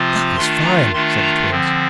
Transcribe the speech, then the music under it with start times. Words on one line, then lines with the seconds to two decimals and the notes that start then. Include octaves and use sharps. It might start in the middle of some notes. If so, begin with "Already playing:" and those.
"That was fine," said the Twins.
Already playing: C3 F3 C4 F4
0.08 D#6
0.36 D#3 A3 D4 F4 C6
0.65 A#5
0.93 D#3 A3 D4 F4 C6
1.22 A#5
1.50 D3 F3 C4